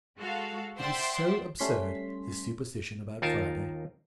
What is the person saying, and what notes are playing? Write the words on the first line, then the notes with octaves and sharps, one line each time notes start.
It was so absurd, this superstition about Friday.
G#3 F#4 A4 F5
C5 D5 E5 F#5 G5 C6
G3 A3 C#4 C6 B6
D#2 D#4 F4 A#4 G#5 A5